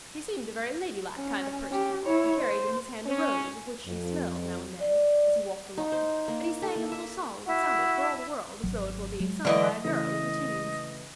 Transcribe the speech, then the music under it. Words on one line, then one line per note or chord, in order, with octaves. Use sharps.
He seemed a very ladylike kind of person and carried in his hand a rose of which he smelled now and then as he walked along, and he sang a little song that sounded for all the world as though it were being sung by a girl in her teens.
C#4
C#4 G4
E4 C#5
C5
C#4
F2
D5
D#4
C5
A#3
A4
A#3
E5
E4 F#4
G#1 F#3
F#3 G#3
D3 E3 D#5
C#3 E3 A3 D#5